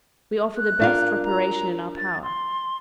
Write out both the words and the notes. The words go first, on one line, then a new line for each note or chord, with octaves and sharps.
We offer the best reparation in our power.
F#6
D4 F4 A#4
A#5
A6
C6